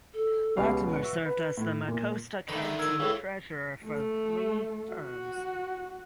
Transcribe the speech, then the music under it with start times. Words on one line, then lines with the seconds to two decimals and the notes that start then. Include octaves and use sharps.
Latimer served as the Mecosta County treasurer for three terms.
0.14 A4
0.57 C#2 B2 G4 F5
0.88 B4
1.03 F#4 E5
1.26 B4
1.57 A2
1.88 A#2
2.48 D3 D#3 B4 D#5 B5
2.62 E5 B5
2.79 D#4 A#4 E6 G#6
3.00 C#2 A2 E3 F5 E6
3.85 A3
4.93 F#4